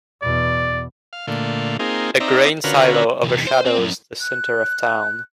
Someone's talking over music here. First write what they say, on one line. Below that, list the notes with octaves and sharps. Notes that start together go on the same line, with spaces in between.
A grain silo overshadows the centre of town.
E2 B2 D5
F5
A#2 D3 A3 F4
A#3 C4 D#4 F4 G#4
C4 D#4 D5 E5 A#5
D3 C#4 F4 F#4 A#4 B4
E2 C3
C5
C4 C5
F#2
F#6